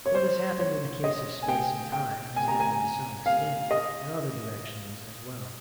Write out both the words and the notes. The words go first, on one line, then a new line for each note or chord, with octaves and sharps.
What has happened in the case of space and time has happened, to some extent, in other directions as well.
C#5
C5
C#5
D#5
G#5
G5
G5
G#5
A#5
G#5
F5
D#5